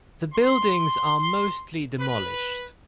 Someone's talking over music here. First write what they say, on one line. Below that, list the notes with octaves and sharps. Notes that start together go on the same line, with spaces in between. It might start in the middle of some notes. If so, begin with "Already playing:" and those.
The buildings are mostly demolished.
C6
B4